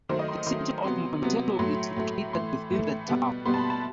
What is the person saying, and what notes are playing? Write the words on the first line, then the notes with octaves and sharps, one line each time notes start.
The City of Montello is located within the town.
D#3 F#3 A3 C5
D#5
C6
D#6
D#3 F#3 A3 C6
C3 F#3 B3 C6
C3 F#3 B3
A2 F#3 A3 C6
A2 F#3 A3
A2 E3 A3 C6
A2 E3 A3
B2 G3 B3
B2 G3 B3 C6
A5
B5
A5